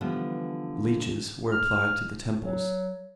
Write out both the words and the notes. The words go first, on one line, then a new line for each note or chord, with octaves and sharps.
Leeches were applied to the temples.
D3 E3 F3 G3 B3
F6
F#3